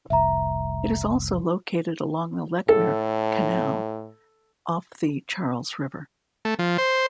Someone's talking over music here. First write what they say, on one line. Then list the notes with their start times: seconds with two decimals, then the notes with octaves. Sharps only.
It is also located along the Lechmere Canal off the Charles River.
0.10 F1 C2 E5 A#5
2.69 A2 A4
6.45 A3
6.59 F3
6.78 C5